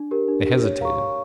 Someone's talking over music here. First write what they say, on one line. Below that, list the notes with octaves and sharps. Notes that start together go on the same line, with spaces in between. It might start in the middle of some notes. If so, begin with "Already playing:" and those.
They hesitated.
Already playing: D4
G4 A#4
D4
G4 A#4
C#5
F5 A#5 C#6
C#5